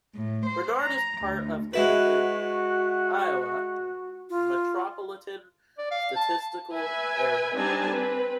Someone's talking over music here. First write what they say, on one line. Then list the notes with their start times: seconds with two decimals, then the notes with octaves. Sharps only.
Bernard is part of the Dubuque, Iowa Metropolitan Statistical Area.
0.14 A2
0.47 C5
0.80 A#5
1.22 D2
1.74 G#3 E4 F#4 B4
4.30 F4
5.78 D5
5.91 F5
6.16 A5
6.73 B4 E5 G#5
7.55 G3 C4 D4 D#4 G#5 A5
7.91 C4 B4